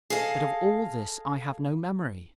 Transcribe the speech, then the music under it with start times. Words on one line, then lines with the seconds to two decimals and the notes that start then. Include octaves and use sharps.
But of all this I have no memory.
0.10 G#4 A4 D#5 F5 A5